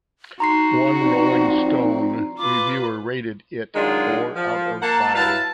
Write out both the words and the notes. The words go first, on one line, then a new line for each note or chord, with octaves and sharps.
One "Rolling Stone" reviewer rated it four out of five.
D#4 F#4 A#5 C6 C7
F3 C4 D5
F4 B4 D6
D#3 F#3 G#3 D4 F4
F3
A#3 A#4 F#5 A5
F#3 E4 B4 F5 A5